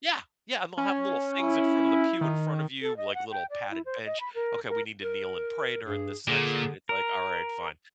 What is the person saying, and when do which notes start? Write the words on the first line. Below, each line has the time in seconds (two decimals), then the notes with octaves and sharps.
Yeah, yeah, and they'll have little things in front of the pew in front of you, like little padded bench, okay, we need to kneel and pray during this section, and it's like, "Alright, fine."
0.78 C#4
1.38 E4
2.21 D#3
2.82 A4
2.97 D#5
3.14 F#5
3.31 G5
3.50 D5
3.71 E4
3.85 C5
4.05 D#5
4.20 B5
4.35 A#4
4.69 A#4
5.01 A#4
5.85 G2 G#4
6.28 A#2 D3 G#4
6.89 A#4